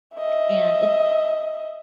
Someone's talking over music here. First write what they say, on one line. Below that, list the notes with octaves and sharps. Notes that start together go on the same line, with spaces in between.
And it
D#5 E5